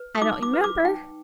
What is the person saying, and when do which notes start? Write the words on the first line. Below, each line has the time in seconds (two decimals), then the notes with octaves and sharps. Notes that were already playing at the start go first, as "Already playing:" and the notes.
"I don't remember."
Already playing: B4
0.15 D#6
0.22 D#4 D6
0.43 D6
0.53 B4
0.64 D6
0.85 D#4 G5